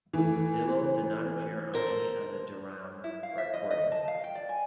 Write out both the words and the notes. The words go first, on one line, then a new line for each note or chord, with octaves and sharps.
Dyble did not appear on any of the Deram recordings.
E3 A3
A4 A#4 C5
E4
F5
E5
D#5
D#5
A5
F5
G5
D5
G#5